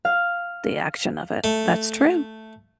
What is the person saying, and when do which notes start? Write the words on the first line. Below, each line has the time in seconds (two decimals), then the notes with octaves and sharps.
The action of it. That's true.
0.05 F5
1.44 A3